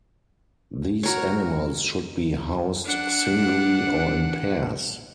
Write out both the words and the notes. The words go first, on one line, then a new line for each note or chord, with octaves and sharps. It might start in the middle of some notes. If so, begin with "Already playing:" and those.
These animals should be housed singly or in pairs.
F#4 A#4 C#5
D4 F#5